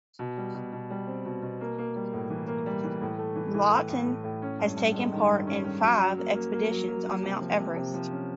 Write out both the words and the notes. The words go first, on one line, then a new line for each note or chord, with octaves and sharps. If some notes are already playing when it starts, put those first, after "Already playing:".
Laughton has taken part in five expeditions on Mount Everest.
B2
G3
B2
B2
G3
C4
B2
B2
A#3
A#3
G3
A2
E3
A#3
G3
E3
A2
A3
E3
E3
A2
A2
A2
A2
C#4
G2
G2
G#3
D#3
G2
C#4
C#4
F#3
F#3
A#3
A#3
A#3
F#3
A#3
A#3
C3
F3
C3
C3
F3
C#4